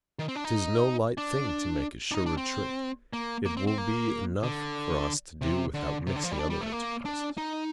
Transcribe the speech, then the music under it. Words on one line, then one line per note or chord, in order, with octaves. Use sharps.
'Tis no light thing to make a sure retreat; it will be enough for us to do without mixing other enterprises.
D#3
C4
D4
D#4
D4
D4
D#4
D4
C4
A#3
A#3
C4
C4
A#3
D3
C3
D3
C3
D3
F3
G3
D4
G3
A3
A#3
D4
D#4